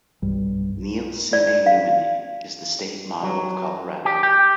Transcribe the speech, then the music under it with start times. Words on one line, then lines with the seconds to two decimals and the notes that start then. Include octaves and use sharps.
"Nil sine numine" is the state motto of Colorado.
0.22 B1 G2 G3
1.33 D5
1.66 F5
3.23 F#3
4.05 G4
4.23 G4